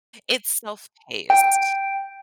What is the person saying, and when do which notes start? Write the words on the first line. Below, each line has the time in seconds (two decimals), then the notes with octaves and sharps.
It's self-paced.
1.30 G5